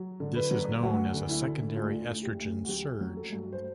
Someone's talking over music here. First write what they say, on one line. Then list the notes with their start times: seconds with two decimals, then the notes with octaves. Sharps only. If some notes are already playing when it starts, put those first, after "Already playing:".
This is known as a "secondary oestrogen surge".
Already playing: F#3
0.20 D3
0.35 B4
0.51 F#3
0.83 D2 F#4
1.14 D3
1.29 E4
1.45 D3
1.69 E4
1.76 D2 F4
2.07 D2
2.23 G4
2.39 D2
2.65 F#4
2.69 F#3 G4
3.01 F#3
3.17 A4
3.32 G2
3.52 C5